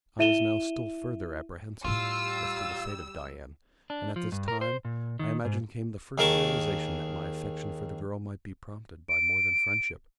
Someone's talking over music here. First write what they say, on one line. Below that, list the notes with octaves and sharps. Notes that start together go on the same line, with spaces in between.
I was now still further apprehensive as to the fate of Dian, and at this time, I imagine, came the first realization that my affection for the girl might be prompted by more than friendship.
E4 E5 D#7 E7 G7
A2 G3 E4 F4 E6
D4
F3
G2
A#4
C5
A#2
D#3
G#2
D#2 D#3 G#4 A#4 A5 C#6
D7